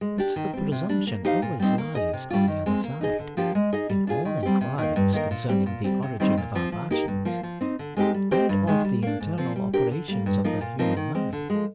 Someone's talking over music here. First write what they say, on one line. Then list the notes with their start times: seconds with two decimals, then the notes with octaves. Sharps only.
But the presumption always lies on the other side, in all enquiries concerning the origin of our passions, and of the internal operations of the human mind.
0.01 G#3
0.18 D4 G4
0.36 D#3
0.53 G3 C4
0.72 C3
0.89 G3 D4
1.07 A#3
1.25 D#4 G4 C5 F5
1.42 A#2
1.59 G3 C4 D#4
1.78 A#3
1.95 D#4 G#4 D#5
2.13 C3
2.30 G3 D4 F4
2.48 D#3
2.66 G#3 C4
2.84 A#3
3.01 D#4 G#4 D#5
3.19 D3
3.37 F3 A#3 D4 G4
3.55 G#3
3.73 D#4 G#4 D#5
3.90 G3
4.07 D4 F4 G#4
4.25 D#3
4.43 G3 C4 G4
4.61 C3
4.78 D#3 A#3
4.96 G2
5.13 D#3 A#3 D#4 A#4
5.31 A#2
5.49 G3 C4
5.66 A#2
5.84 G3 C4
6.02 C3
6.20 D#3 G3 C4 D#4
6.38 A#2
6.55 F3 C4
6.72 F3
6.91 A#3 D#4 G4 A#4
7.08 G2
7.25 F3 A#3 F4
7.43 F3
7.61 C4 D#4
7.79 D3
7.97 G#3 C4 D#4 G4
8.14 G3
8.32 C4 G4 C5 D#5
8.49 G2
8.67 D#3 G#3
8.85 G3
9.03 A#3 D4
9.21 G#2
9.38 F3 C4
9.56 G3
9.73 D4 G4 A#4
9.91 D3
10.08 G3 A#3
10.26 G2
10.44 F3 A#3 D#4 A#4
10.61 A#2
10.79 F3 C4 D#4 A#4
10.97 D#3
11.15 G#3 C4
11.33 D3
11.50 F3 G#3